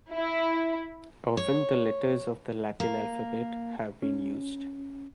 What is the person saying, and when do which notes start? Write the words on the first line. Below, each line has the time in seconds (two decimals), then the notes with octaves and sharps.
Often the letters of the Latin alphabet have been used.
0.12 E4
1.37 C#5
2.80 A#3
4.03 C#4